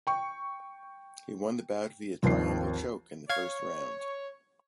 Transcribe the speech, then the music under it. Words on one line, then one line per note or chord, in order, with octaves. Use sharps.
He won the bout via triangle choke in the first round.
G5 C#6
G#1 D#2 F3 C7
C#5 F5 G#6